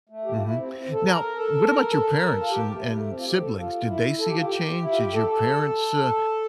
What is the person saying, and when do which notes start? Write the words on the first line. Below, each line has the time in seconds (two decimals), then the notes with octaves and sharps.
Mhm. Now what about your parents and and siblings? Did they see a change? Did your parents, uh,
0.09 A3
0.25 G4
0.34 F4
0.42 E4
0.57 C4
0.73 C4
0.92 A4
1.04 A#4
1.36 A4
1.67 A#4
1.89 A4
2.08 A#4
2.29 A4
2.41 F4
2.51 G4
2.72 A3
2.93 A3
3.09 C4
3.18 F4
3.25 G4
3.40 A4
3.55 F4
3.87 E4
4.18 A4
4.28 G4
4.36 F4
4.45 G4
4.82 E4
4.90 F4
4.98 G4
5.13 A4
5.29 A4